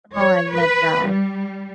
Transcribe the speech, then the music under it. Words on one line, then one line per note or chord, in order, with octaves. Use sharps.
Oh, I love that.
C#5
B4
G3